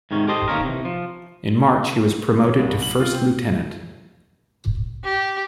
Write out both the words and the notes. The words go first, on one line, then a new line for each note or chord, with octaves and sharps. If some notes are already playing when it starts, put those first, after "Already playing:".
In March he was promoted to first lieutenant.
G#2 C3 D#3 C#4
G4 A4 C5 D#5
D#3 A#3 C#4 A#4
C3 E3
F3
C#5
C2
F#7
F4
C4
G4